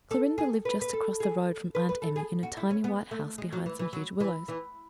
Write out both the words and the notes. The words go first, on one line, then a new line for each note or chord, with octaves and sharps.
Clorinda lived just across the road from Aunt Emmy in a tiny white house behind some huge willows.
A4
G#4
B4
B4
A4
G#4
B4
B4
A4
G#4
F#4
E4
C#4
B3
A3
G#3
F#3
E3
E3
F#3
E3
E3